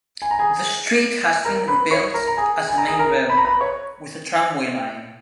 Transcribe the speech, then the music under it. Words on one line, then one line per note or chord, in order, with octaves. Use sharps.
The street has been rebuilt as a main road, with a tramway line.
G#5
A#5
G#4 G#5
A#4 A#5
B4 B5
C#5 C#6
A#4 A#5
A#5
G#4 G#5
G#5
A#5
G#4 G#5
A#4 A#5
B5
A#5
B4 B5
C#5 C#6